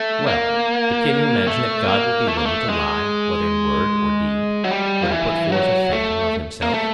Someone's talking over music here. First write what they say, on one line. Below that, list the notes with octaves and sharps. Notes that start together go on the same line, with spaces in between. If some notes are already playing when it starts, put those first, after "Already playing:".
Well, but can you imagine that God will be willing to lie, whether in word or deed, or to put forth a phantom of himself?
Already playing: A3
A#3
A3
A#3
A3
A#3
A3
G#3
F#3
G3
F3
E3
F#3
A3
A#3
A3